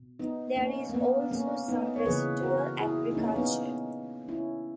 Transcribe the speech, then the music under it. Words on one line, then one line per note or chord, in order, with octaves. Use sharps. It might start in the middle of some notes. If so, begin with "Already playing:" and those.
There is also some residual agriculture.
Already playing: B2
B3 D#4
A#3 C#4
A#3
B3
A#3 C#4
B3 D#4
C#5
C#3 E3 A#3 G#4 B4
F#4 A#4
E4 G#4
D#4
A#3 C#4
C#4
B3 D#4
C#4 E4